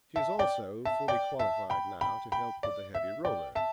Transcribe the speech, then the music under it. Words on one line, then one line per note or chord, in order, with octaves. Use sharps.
She is also fully qualified now to help with the heavy roller.
E5 A5
D5 G5
E5 A5
D5 G5
E5 A5
G5 B5
G5 B5
G5 B5
D5
E5
D5 G5
E5 A5